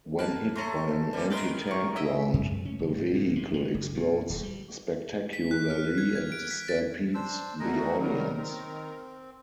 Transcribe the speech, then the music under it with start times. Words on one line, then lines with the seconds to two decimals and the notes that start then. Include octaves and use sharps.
When hit by an anti-tank round, the vehicle explodes spectacularly and stampedes the audience.
0.19 A#3 B4 A5
0.56 A3 C#4 A#5 C6
1.13 G3 G4
1.30 D#3 D#4 A#4 B4 G5 C6
1.67 A#3 C#6
1.96 E4 D#5 E5
2.34 F#2
2.65 C#4
2.79 F#1
2.94 G#2
3.13 A#2
3.36 C3
3.54 D#3
3.74 F#1
3.95 A#2
4.30 D1
4.43 G3
5.33 B6
5.51 F#6
5.70 F6
5.98 G#6
6.15 G#6
6.32 D7
6.51 B6
6.68 A6
7.14 D4 C5 E6
7.60 G3 A3 F#4 G#4 A#4 D#5
7.98 D#3 F#3 G3 A#4
8.37 C4